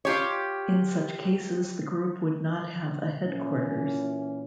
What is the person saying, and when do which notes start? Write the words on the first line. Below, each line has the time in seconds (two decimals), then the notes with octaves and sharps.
In such cases the group would not have a headquarters.
0.05 F4 G4 C#5
3.26 A#2 E3 C#4